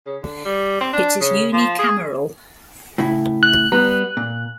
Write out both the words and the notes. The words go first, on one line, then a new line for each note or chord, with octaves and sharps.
It is unicameral.
C#3
D3
G3
C4
D4
C#3
F3
G#4
A2 C#3 E4
F#6
G3 B3 A#5
A#2